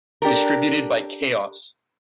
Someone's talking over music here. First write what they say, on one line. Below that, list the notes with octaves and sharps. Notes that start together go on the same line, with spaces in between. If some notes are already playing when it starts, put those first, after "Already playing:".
Distributed by Chaos!
D4 G4 A4 A#4